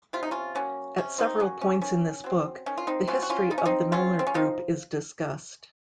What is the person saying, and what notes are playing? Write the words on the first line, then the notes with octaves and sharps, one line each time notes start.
At several points in this book, the history of the Milner group is discussed.
C3 F4
D#4
C#4 F4
F#3 A#3 C#4
C3 C#4
C4 D#4
F#3 A#3 C#4
C#4
D#3 C#4
F#3 C4
D#3 C#4
F4
C4 D#4
F#3 C4 C#4 F4
F#4
C#4 F4
F3 D#4
C#4
C4 D#4
G#3 C4 C#4 F4
C4
C#4
F3 C4 D#4